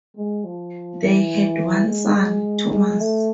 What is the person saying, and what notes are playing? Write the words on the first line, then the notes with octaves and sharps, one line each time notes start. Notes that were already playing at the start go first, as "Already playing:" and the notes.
They had one son, Thomas.
G#3
F3
E3
G#3
G#3
A3